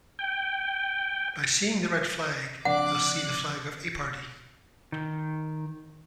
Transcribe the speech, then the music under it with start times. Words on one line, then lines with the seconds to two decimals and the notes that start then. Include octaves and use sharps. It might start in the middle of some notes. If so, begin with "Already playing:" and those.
By seeing the red flag, they'll see the flag of a party!
0.19 G5
2.65 C#3 F3 C4 D4 F#5 D6 F#6
4.92 D#3